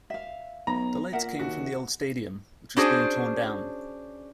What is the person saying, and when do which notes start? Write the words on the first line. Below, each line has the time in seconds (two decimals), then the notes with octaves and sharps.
The lights came from the old stadium, which was being torn down.
0.10 E5 F5
0.67 B1 A#5
1.13 A#2 A#4 E5 F#5
1.39 D#2 F#4
2.76 C#4 D4 F#4 G#4 C5